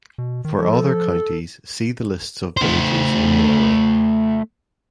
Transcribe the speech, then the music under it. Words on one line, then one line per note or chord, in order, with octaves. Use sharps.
For other counties see the lists of villages in Norway.
B2
D#3
F3 A4
A3 C5